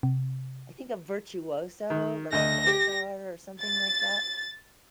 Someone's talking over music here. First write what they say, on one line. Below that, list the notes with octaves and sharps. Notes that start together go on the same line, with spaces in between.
I think of Virtuoso, like a Mozart or something like that
C3
D#3
D2 D#5 A#6
G4
A6